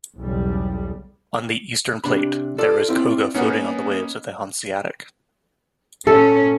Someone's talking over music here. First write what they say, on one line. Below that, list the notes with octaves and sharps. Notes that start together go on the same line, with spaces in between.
On the eastern plate, there is koga floating on the waves of the Hanseatic.
B1 E2 C#3 G3
C3 D4 B5
F4 A4 D5
C4 E4
A#3 B3 C#4 D#4 F#5
A#2 C#4 A4